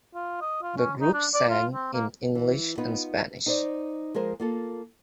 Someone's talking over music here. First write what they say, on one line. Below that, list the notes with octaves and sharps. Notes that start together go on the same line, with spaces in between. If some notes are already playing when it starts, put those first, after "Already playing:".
The group sang in English and Spanish.
F4
D#5
F4
C#4
D#4
D4
D5
F4
C4
A#3
E3
B3 D#4 F4 B4
D#4 C5 D5
F3 G#3 G#4 A#4 C5
A#3 F4 A4